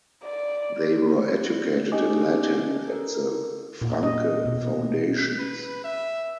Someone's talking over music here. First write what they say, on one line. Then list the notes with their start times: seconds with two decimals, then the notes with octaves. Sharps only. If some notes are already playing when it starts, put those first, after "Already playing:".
They were educated in Latin at the Francke Foundations.
0.23 D5
1.92 C#4 D#4 G4 D#5 G#5 D6
2.88 A4 A#4
3.81 A#2
4.03 D#5
4.45 B2
5.39 B4
5.84 E5